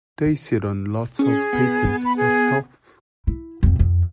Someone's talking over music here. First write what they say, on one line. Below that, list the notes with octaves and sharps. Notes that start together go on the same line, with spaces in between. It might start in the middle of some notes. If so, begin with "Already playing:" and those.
They sit on lots of patents for stuff.
C#4 G#4
B3
B5
G#4
E4
F2 C4
F2